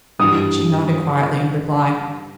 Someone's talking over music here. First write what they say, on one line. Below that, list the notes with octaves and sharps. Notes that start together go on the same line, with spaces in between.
She nodded quietly in reply.
G2 E3 G3 D#6